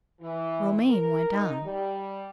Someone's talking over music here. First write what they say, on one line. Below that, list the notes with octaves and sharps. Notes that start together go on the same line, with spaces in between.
Romayne went on.
E3
A#4
D#4
G3